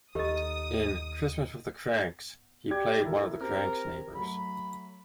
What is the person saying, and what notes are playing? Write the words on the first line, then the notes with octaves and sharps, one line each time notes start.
In "Christmas with the Kranks", he played one of the Kranks' neighbors.
D#2 D#4 G4 A4 D#5 D#6
G4 D5 G#6
E4 A4 A#4
C4 G4 A#4
F#3 A3 B5